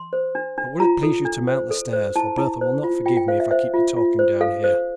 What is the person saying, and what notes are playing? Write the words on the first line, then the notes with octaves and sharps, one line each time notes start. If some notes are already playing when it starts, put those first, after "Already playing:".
But will it please you to mount the stairs, for Bertha will not forgive me if I keep you talking down here.
Already playing: C6
C5
D4
D4
F4 A#5
A4
D4
C5
A4
C5
E4 A5
E4
C5
F4
F4 G5
G5
C5 F5
E5
C5 E5
F4
F4
C5
A4 F5
C5